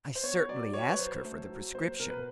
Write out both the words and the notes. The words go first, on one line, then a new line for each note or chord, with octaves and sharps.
I certainly asked her for the prescription.
C5
B3 C#5
F#3 D5
F#3 C#5
B4
F#3 C5
A3
F#3
A#3 C5
B2 A#4
B4